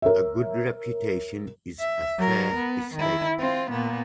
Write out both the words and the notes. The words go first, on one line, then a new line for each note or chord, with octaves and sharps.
A good reputation is a fair estate.
A#4 C#5 E5
E5
F#3 A#4
B3
D#3 E4
C4 F4
A#2 B3